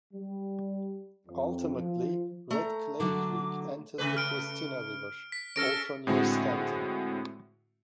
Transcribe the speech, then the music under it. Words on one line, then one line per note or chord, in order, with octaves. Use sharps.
Ultimately, Red Clay Creek enters the Christina River, also near Stanton.
G3
F2
F3
A3 A#5
D3 F#3 D6
C#3 A3 B4
F6 D7
B6
C#4 A4 F6 A#6 D7
A2 D3 G#3 C4 E4 F#4